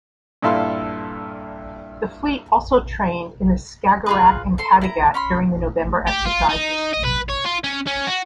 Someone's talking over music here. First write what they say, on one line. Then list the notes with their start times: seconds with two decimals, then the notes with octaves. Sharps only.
The fleet also trained in the Skagerrak and Kattegat during the November exercises.
0.42 G2 A#2 E4 A4 F5 C6
4.06 F4 G#4 B4
4.58 A4 C6
4.82 E4 A#5
5.14 C#4 B5 C6
6.08 G4
6.25 F4
6.49 D#4
6.94 D#5
7.05 B4
7.30 C#5
7.45 F4
7.64 C#4
7.87 C#4
8.07 F#4